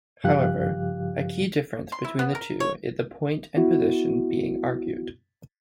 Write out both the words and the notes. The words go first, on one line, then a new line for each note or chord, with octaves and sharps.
However, a key difference between the two is the point and position being argued.
G2 C#3 F3 G4 F5 F#6
C6
E4
B3
A#4
C#5
B3 E4 F#4